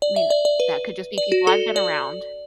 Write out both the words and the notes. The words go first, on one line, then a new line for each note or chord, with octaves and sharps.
I mean, that could just be people I've been around.
D5
E5
D5
D5
B4
D5
F#4
A4
D5